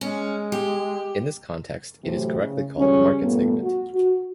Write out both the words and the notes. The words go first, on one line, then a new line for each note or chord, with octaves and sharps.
In this context it is correctly called Market segment.
G#3 C#4
G4
A2 C3 E3 F#3 A3 C4
C#3
C#3 F3 G3 G#3 C#4
G2 A#2 A3 B3
F#4
F#4